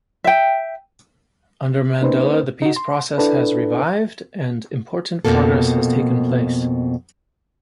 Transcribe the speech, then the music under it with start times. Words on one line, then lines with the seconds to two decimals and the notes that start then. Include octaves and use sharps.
Under Mandela the peace process has revived and important progress has taken place.
0.24 E5 G5
2.01 A#3 C#4 D#4 B4 C5
2.62 D#4 F#4
2.76 C6
3.18 D4 E4 A4 B4
5.25 F2 G#2 B2 A#3 A4